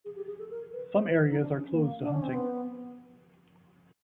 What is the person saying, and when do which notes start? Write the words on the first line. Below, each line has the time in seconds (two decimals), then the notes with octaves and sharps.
Some areas are closed to hunting.
0.05 G#4
0.16 G4
0.27 G#4
0.39 A4
0.50 A#4
0.73 B4
0.96 C5
1.07 B4
1.18 A4
1.30 D#4
1.41 D4
1.58 C#4
1.72 A#3
2.02 D4
2.12 C#4
2.22 C4
2.34 B3